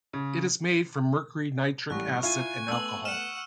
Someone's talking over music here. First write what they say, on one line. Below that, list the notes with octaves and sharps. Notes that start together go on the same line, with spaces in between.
It is made from mercury, nitric acid and alcohol.
C#3
A1 G3 C#6 F#6
E4 F4 F5 G#5
A3 B3 E6 F#7
F#5 F6 D#7 E7